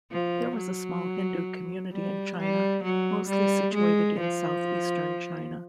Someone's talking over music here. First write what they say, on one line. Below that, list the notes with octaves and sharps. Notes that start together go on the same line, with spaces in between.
There was a small Hindu community in China, mostly situated in southeastern China.
F3
F#3
G3
G3
F#3
G3
G#3
F3